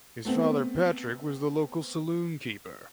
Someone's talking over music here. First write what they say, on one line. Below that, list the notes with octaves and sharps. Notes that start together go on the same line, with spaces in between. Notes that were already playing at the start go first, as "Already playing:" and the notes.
His father Patrick was the local saloon keeper.
A3 B3 C4